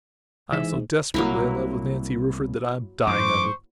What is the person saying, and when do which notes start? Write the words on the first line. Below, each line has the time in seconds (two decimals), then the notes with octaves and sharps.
"I am so desperately in love with Nancy Rufford that I am dying of it."
0.52 G#2 E3 E5
1.14 C2 F#3 A#3 E4
3.07 F#2 A2 E3 C5 C#6 D6